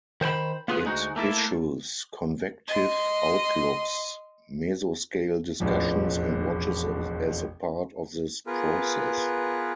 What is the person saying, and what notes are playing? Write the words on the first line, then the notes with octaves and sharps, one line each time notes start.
It issues convective outlooks, mesoscale discussions, and watches as a part of this process.
D#3 C5 G5 B5
A#3 B3 F4 G#4 B4
D2 G#3 D#4 F#4
A3 A#3 E4 A4
D#5 C6
E1 A1 F2
B3 F4 G#4 A#4 B4